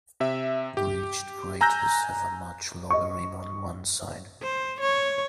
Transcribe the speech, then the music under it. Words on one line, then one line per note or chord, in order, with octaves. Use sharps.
Breached craters have a much lower rim on one side.
C3 E5
G4
G#5 A#5 E6 F#6 G6 A#6
D#5 C#6
C5
C#5